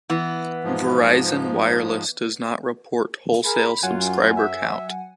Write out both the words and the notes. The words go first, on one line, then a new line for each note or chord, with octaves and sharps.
Verizon Wireless does not report wholesale subscriber count.
E3 B3
G#2 F3
G#4 A#4 B5
F#2 F#3 F4 F#5 G#5
E5